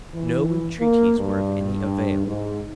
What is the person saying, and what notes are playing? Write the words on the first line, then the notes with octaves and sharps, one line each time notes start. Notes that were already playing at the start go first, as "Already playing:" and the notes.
No entreaties were of any avail.
E3
A#3
G2
G#2